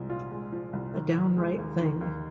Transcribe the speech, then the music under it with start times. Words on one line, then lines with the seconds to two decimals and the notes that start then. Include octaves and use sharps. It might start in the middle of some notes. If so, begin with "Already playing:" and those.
A downright thing.
Already playing: C2 F3 G#3
0.10 A#2 F4
0.32 G#3
0.52 F3
0.73 C2
0.95 D#3
1.16 D#2
1.37 G#3
1.58 D#2
1.80 D#3
2.01 D#2